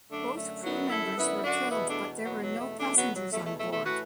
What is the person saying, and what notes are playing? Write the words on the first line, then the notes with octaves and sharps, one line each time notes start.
Both crew members were killed, but there were no passengers on board.
F#2 D3 A3 D4
A3
F#2 D3 F#3 B3
E4 A4
F#2 D3 B3 E4
D4 F#4
E2 B2 B3 E4
A3 D4
E2 B2 F#3 B3
F#3
A3
E2 B2 A3 D4
F#3 B3
F#3
E2 B2 A3
A3
A3
A3
A2 E3 F#4 B4